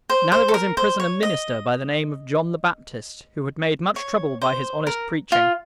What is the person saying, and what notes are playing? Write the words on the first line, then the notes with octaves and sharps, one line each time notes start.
Now there was in prison a minister by the name of John the Baptist, who had made much trouble by his honest preaching.
C5
C5
A4
A#4
C5
C#5
D#5
C#5
C5
A#4
F4